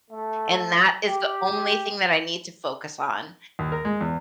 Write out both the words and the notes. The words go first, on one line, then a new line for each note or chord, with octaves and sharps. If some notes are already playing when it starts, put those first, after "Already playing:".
and that is the only thing that I need to focus on.
A3
G4
D#2
A#4
G#3
E2